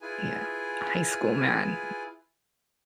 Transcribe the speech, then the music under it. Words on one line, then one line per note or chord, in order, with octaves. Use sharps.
Yeah, high school, man,
E4 F4 G#4 B4 G#5